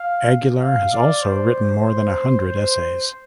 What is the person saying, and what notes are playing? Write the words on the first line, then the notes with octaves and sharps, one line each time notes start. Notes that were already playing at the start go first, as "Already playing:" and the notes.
Aguilar has also written more than a hundred essays.
Already playing: F5
F5
D5
C5
C5
C5